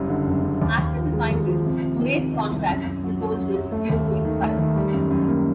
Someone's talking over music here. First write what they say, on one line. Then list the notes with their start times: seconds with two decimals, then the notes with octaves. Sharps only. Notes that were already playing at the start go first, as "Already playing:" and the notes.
After the Finals, Murray's contract to coach was due to expire.
Already playing: F#1 F#2 G3
0.10 D3
0.27 F#1
0.44 F#2
0.62 D#2
0.79 D#2
0.96 F3
1.13 G#3
1.31 D#2
1.47 F3
1.65 C3
1.82 C3
2.00 D#3
2.17 C3
2.34 C3
2.51 C2
2.68 F#2
2.86 F#2
3.04 F#3
3.21 F#3
3.38 F#2
3.56 F#2
3.72 A3
3.90 D#2
4.07 A3
4.25 D#3
4.42 A3
4.59 D#3
4.76 G3
4.94 F#2
5.10 F#2
5.28 A#3